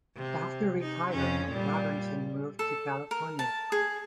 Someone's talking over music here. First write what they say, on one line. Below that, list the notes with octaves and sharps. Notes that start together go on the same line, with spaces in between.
After retiring, Robertson moved to California.
C3
D#4
F2 C#4
A#2 G3
A4
A#4
A5
G#4